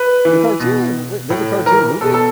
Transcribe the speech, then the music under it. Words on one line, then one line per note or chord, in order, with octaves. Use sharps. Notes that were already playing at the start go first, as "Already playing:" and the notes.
the cartoon? Wait, there's a cartoon movie?
Already playing: B4
E3
B2
A2
E3 A#4
B2 A4
A4